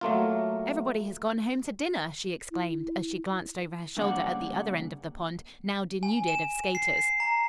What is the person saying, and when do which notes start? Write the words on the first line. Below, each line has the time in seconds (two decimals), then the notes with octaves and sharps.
"Everybody has gone home to dinner!" she exclaimed, as she glanced over her shoulder at the other end of the pond, now denuded of skaters.
0.01 F#3 A3 A#3 F4
2.51 E4
3.97 G2 C#3 A#3 D5 F#5
6.03 G#5
6.28 E7
6.75 C7
7.20 A#5